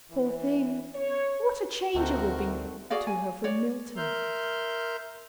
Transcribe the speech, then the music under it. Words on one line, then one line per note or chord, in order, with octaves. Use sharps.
Poor thing! what a change it will be to her from Milton!
E3
C#5
D2 D#3 A3 C4 F#4 A#4 F#5
F#4 G#4 D5 F5
G#5
C#5 D5
A#4 E5 C6 F6 G6